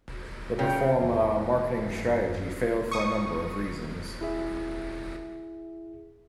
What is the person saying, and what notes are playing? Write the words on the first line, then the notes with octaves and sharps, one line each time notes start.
The Performa marketing strategy failed for a number of reasons.
C#3 G5
E2
G2
C#6 D#6
E4 G#4 E5